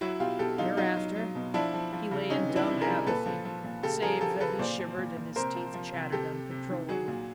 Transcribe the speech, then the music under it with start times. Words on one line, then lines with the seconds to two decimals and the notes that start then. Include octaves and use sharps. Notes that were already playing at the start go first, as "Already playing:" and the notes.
Thereafter he lay in dumb apathy, save that he shivered and his teeth chattered uncontrollably.
0.01 F#3 E4 F#4
0.20 B2 F4 G4
0.39 B2 G4 A4
0.58 F#3 D#4 F4
0.77 F#3 D#4 F4
0.97 F#3
1.16 F#3
1.35 B2
1.54 F3 D4 E4
1.74 F3
1.93 F3
2.11 C#3
2.30 C3 C#4 D#4
2.49 E3
2.56 D4 E4
2.68 C3
2.81 G#4 A#4
2.88 G3
3.07 A#2 A4 B4
3.26 F3
3.45 F3
3.64 A#2
3.83 C#3 G4 A4
4.02 F3 G#4 A#4
4.21 F3 G4 A4
4.40 C#3 A4 B4
4.59 A#2 C5 D5
4.79 F3
4.97 A#2
5.17 A#2
5.36 C3 A#4 C5
5.55 F3
5.74 F3
5.93 C3
6.12 C3 G4 A4
6.31 C3
6.50 C3
6.70 D#3
6.89 F#3 F#4 G#4
7.08 A#2